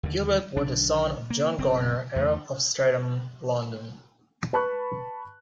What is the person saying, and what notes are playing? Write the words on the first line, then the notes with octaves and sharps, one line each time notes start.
Gilbert was the son of John Garner Arrow of Streatham, London.
D#2 D3
B1 D3 D4
A#3
F#1 C4
E2 A3
B4 A5 B5 C#6 F#6